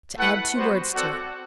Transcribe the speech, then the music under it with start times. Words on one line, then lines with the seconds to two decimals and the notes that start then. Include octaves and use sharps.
"To add two words to it."
0.17 A3 E4 B4 F#5
0.56 G3 B3 F#4 C5
0.95 C4 F#4 A4 D5 F#5